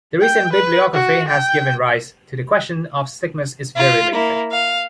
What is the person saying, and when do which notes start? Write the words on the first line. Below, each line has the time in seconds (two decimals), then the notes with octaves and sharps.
The recent bibliography has given rise to the question of stigmas is very leafy.
0.22 G5
0.53 B4
0.93 F#4
1.29 G5
3.76 F4
4.13 A#3 E4
4.52 F5